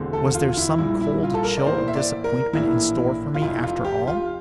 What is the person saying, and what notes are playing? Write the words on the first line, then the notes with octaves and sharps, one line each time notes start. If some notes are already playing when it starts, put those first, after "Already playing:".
Was there some cold chill of disappointment in store for me, after all?
Already playing: E1 E2 D3 A3 C4
A4
F4
E4
A#1 A#2 G3 E4
E4
F4
A4
A#4
D5
A2 E3 A#3 C5
E5
D5
A#4
A#1 A2 E3 A#3 D4 E4
F4
F1 F2 C3 E4
F4
G4
F4